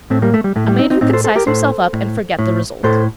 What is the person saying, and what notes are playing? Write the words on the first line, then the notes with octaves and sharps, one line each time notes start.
A man who can size himself up and forget the result.
A2 A3 C4
G3 A#3
A3
G3
A2 A3
G3
C4 D#4
C4 D#4
A2 C4 D#4
A4 C5
A4 C5
G4 A#4
A2 A4 C5
A2
A2
A2 A4 C5